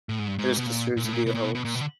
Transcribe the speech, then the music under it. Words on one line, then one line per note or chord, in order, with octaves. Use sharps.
It is considered to be a hoax.
A2
G#2
G2
G#2
B2
A#2
A#2
A2
A#2
B2
A#2
B2
B2
A#2
B2
D3